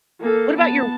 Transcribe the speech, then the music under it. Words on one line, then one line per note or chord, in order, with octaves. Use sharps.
What about your
A#3 A4
B3 A5